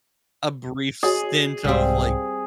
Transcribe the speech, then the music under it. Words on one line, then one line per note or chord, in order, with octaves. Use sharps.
a brief stint of, like,
F#4 G#4 C#5 D#5
C2 G#2 G3 C4 G4 F5 F#5